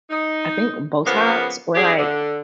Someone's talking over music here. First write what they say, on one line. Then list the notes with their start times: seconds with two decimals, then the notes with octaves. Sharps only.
I think Botox or, like,
0.10 D#4
1.05 C#3 F3 A#3 B3
1.75 C4 D4 G4 G#4
1.97 D3